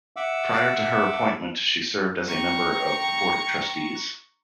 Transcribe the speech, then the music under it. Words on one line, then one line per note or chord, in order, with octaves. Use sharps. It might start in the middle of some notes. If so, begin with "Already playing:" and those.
Prior to her appointment, she served as a member of the Board of Trustees.
E5 F#5 D6 E6
G5 A#5 C#6